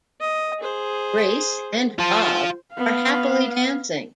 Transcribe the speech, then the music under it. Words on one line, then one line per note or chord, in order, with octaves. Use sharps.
Grace and Bob are happily dancing.
D#5
G#4 C5
F4 C5 A5
B3 F5